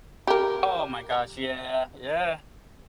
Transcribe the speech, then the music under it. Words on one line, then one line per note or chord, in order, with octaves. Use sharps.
Oh my gosh, yeah, yeah.
G4 A#4